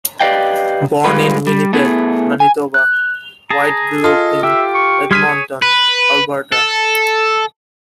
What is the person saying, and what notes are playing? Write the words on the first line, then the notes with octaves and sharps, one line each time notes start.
Born in Winnipeg, Manitoba, Whyte grew up in Edmonton, Alberta.
G4 B4 D5 D#5 F5 G5
G#2 G3 G#3 F4 B4
G3
A3 B3 E4 G#4
G#5
F#6
G#4 A5 A#5
F4 A4 D#5
G4 E5
C#6
G3 G#4 C6 F6 G#6 B6 D#7
C#5
B4
A4